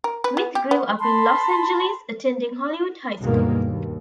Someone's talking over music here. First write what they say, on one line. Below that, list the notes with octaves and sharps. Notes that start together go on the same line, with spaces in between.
Smith grew up in Los Angeles, attending Hollywood High School.
A#4
B4
B3
G4
B3
A5 B5 C6
D2 G2 B2 D#3 G#3 A#3
D#2